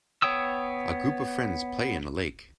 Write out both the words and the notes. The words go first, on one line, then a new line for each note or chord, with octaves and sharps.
A group of friends play in a lake.
B3 C#5 G5 D#6 E6